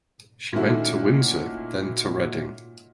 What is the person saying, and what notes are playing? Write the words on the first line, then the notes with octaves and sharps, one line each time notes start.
She went to Windsor then to Reading.
A#2 D#3 A3 C#4 E4 F#4